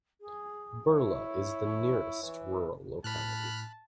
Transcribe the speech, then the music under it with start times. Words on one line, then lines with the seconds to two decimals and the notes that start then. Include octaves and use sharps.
Burla is the nearest rural locality.
0.21 G#4
0.88 E4 C#5
2.23 E3
3.04 A2 A5 B5 F6 F#6